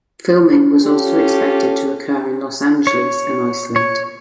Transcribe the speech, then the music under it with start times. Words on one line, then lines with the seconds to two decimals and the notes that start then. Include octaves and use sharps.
Filming was also expected to occur in Los Angeles and Iceland.
0.85 C#4 F4 G4 A4
2.87 C#5
3.76 C#5